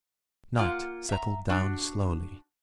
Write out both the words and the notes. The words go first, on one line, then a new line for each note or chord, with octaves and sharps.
Night settled down slowly.
A#3 F4 F#5
E5 A#5
D4 F#4